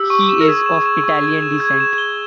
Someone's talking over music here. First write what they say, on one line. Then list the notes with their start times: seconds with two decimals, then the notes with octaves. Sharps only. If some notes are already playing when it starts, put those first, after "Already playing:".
He is of Italian descent.
Already playing: G4 E6
0.10 C#6
0.29 E7
0.40 A#4
0.47 G#4 E7
0.66 E7
0.86 E7
1.04 C#6
1.24 G#6
1.42 E7
1.60 G#6
1.80 E7
1.98 G7